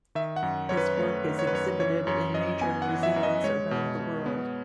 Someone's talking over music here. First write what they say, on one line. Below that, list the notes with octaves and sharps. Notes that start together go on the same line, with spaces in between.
His work is exhibited in major museums around the world.
D#3 E5
F#5
F#2
F#2 C#5
B4
A3 C#5
D#3
C#5
B4
F#2 C#5
E3 C#5
F#2 C#5
F#2 D#5
B3 G#5
F#5
E3
E5
F#2
D#5
G#3 C#5
B2
B2
B3